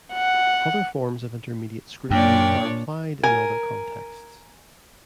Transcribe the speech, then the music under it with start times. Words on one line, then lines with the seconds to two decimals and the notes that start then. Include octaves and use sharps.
Other forms of intermediate scrutiny are applied in other contexts.
0.14 F#5
2.11 F#2 A#2 D4 C#5 D5 G5
3.24 A#4 G#5